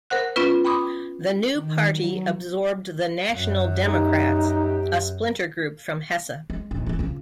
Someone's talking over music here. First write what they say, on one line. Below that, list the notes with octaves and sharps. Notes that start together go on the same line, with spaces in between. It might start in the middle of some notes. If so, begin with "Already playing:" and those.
The new party absorbed the "National Democrats", a splinter group from Hesse.
A#4 C5 F#5 F#6
B3 C#4 F4 B4
G5 B5 C6 D6 D#6
D#3
F#3
F#2
D#4 G4
G#3
A#1 D#2
E3 A#3
C#3 F4